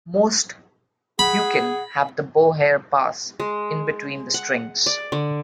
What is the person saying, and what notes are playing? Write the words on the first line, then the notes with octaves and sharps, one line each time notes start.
Most huqin have the bow hair pass in between the strings.
G#4 F#5 B5
G#3
F#5
D5
D3